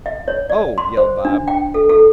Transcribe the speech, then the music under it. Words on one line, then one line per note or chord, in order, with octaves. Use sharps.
"Oh!" yelled Bob.
E5
C#5
D5
C6
C5
D4
G5
A4
A4